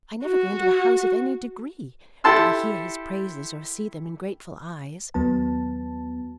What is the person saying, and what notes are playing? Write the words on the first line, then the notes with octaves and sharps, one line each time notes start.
I never go into a house of any degree but I hear his praises or see them in grateful eyes.
F#4
E4 G4 A4 A5 C6 E6
D#2 F#3 B3 A5